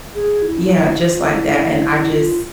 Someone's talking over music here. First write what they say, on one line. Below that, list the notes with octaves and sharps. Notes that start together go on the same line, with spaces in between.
yeah, just like that, and I just
G#4
E4
F4
E4
E4
F4
E4
F4